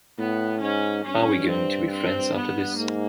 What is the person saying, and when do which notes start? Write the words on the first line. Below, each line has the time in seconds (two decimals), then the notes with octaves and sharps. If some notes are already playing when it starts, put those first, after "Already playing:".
Are we going to be friends after this?
0.18 A2 B3
0.61 G#2 C#4
1.05 G2 C#4
1.49 C4
1.92 C4
2.35 B3
2.78 G#2 A#3